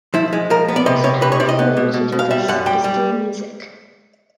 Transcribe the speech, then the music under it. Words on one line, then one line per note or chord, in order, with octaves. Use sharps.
The most powerful way to do this is through music.
F3 E4
G#3
F3 A#4
B3
D5
C3 D#5
C3 C#5
C3 B4
C#5
C3 D5
D#5
B3
B2
B2
B2
F5
G3 E5
F#2 F#5
G3 G5
G3